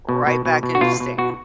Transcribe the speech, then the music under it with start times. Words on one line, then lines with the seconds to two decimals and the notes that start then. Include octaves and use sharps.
right back into staying.
0.09 B2
0.27 B2
0.46 B2
0.63 B2
0.75 F#4
0.81 B2 F4
1.00 B2
1.18 B2 F#4